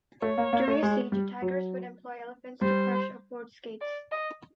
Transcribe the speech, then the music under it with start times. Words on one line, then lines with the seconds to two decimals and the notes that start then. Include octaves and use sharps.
During a siege, attackers would employ elephants to crush a fort's gates.
0.22 A3 C#5
0.38 A#3
0.53 A#3
0.68 A3
0.83 G#3
1.12 G3
1.42 F#3
2.61 G3 C5
3.81 D5
4.12 D#5